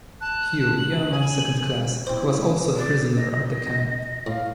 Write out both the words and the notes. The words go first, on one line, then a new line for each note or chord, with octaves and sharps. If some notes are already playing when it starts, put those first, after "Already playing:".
Hough, Yeoman Second Class, who was also a prisoner at the camp.
A5 F#6
F#7
G#5
F#7
C4 E4 C5
D5
D#5
A2 F5